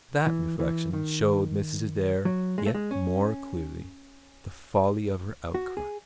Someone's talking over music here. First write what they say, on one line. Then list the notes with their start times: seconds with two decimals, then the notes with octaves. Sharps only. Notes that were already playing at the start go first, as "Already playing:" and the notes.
That reflection showed Mrs. Adair yet more clearly the folly of her outcry.
0.27 E3
0.60 E3
0.93 D#3
2.25 F#3
2.58 G#3
2.66 A3
2.75 G#3
2.91 C#4
5.55 F#4
5.77 G#4